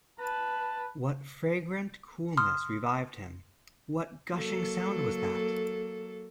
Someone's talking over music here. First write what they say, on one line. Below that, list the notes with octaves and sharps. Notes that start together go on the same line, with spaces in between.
What fragrant coolness revived him; what gushing sound was that?
B4 A5
C6 D#6 F6
F#3 A#3 A4